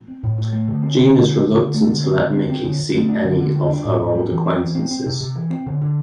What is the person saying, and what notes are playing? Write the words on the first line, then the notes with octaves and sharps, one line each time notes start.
Jeanne is reluctant to let Mickey see any of her old acquaintances.
C4
A2
A2
A3
D3
C4
D3
C4
C4
D3
D3
A3
D3
C4
D3
C4
C4
D3
D3
A3
D4
D3
D3
G3
D4
A2
A2
G3
E3
C4
E3
C4
C4
C3
C3
E3
C4
D3
D3